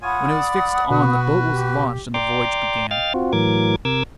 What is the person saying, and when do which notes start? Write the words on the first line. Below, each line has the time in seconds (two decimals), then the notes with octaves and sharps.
When it was fixed on, the boat was launched and the voyage began.
0.02 F4 C#5 F#5 G#5 B5 D#6
0.28 D5
0.91 B2 F#4 B4
1.52 G4
2.14 D5 G5 A#5 C6 D6
2.91 D#5 F5 G5 F6 A6
3.14 C4 F4 F#4
3.33 A2 E3 F#3 A#4 D6 G#6
3.85 C3 A#4 D6 E6 G#6